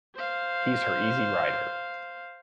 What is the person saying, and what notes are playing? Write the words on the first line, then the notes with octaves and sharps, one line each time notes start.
He's her easy rider.
C5 F5